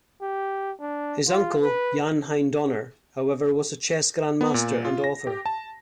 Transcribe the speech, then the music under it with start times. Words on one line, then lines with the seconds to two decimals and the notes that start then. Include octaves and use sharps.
His uncle Jan Hein Donner, however, was a chess grandmaster and author.
0.21 G4
0.80 D4
1.27 F4
1.61 B4
4.41 B3
4.54 A#2
4.85 F4
5.04 A#6
5.27 G4
5.46 A5